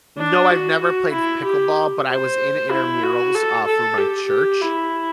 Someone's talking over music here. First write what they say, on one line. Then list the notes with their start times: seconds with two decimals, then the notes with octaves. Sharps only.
No, I've never played f pickleball, but I was in intermurals, uh, for my church,
0.18 D4
0.50 F#4
0.82 F#4
1.12 E4
1.45 G4
2.09 C5
2.71 E4
3.03 F#4
3.35 A4
3.67 A4
3.98 G4
4.29 G4
4.61 E4